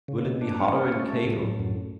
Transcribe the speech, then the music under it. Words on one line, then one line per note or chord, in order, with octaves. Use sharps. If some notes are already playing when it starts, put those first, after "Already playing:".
Will it be hotter in Cale?
C#3
B2
D4
C#4
C#4
A3
A3
A2
A2
F#2